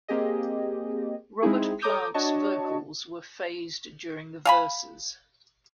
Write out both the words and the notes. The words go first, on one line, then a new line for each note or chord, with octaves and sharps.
Robert Plant's vocals were phased during the verses.
A#3 C4 G4 G#4 D#5
G#3 C4 D#4 E4 G#4
A4 C#5 A#5 D6 D#6 G6
D4 F#4 C#5 D#5 A5 C#6
F5 G#5 B5